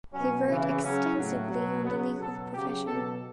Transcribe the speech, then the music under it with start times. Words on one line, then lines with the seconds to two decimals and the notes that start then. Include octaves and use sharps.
He wrote extensively on the legal profession.
0.14 B2 F#3 C#4
0.48 C#3 E3
0.82 C#3 F#3 C#4
1.16 A2 F#3
1.51 B2 F#3
1.85 C#3 F#3 B3
2.19 B2 F#3 A4
2.54 C#3 F#3 G4
2.87 B2 F#3 A4